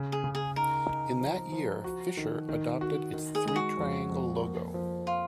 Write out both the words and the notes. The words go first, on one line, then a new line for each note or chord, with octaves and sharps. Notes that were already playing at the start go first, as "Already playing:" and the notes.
In that year, Fischer adopted its three-triangle logo.
Already playing: C#3
G#4
C#3
G#4
D#4 A#4
D#4
F3
F3
F#4
D#3
D#3
F#4
D#3
G#4
G#3 G#4
F#4
F2
F2
A#3
F3
F4